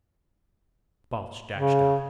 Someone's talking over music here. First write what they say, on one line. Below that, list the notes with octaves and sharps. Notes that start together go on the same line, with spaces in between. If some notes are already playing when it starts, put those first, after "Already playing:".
Balch dashed up.
C#3